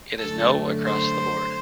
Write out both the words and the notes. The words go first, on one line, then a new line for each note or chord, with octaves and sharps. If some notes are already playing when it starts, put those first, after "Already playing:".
It is 'no' across the board.
F#2 D3 A3 A4
C5